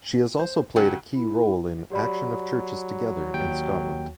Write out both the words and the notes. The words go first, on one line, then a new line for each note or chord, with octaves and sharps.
She has also played a key role in Action of Churches Together in Scotland.
C5
C#3 F#3 G4 G5 A5
E4
F#3 G4 D5 B5
D#2 G5